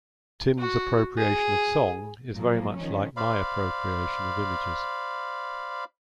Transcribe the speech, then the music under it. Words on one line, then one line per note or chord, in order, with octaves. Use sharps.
Tim's appropriation of song is very much like my appropriation of images.
F#4
G#4
A#2 F3 F#3 A#3
D#3 F3 C#4
C5 D5 F5 B5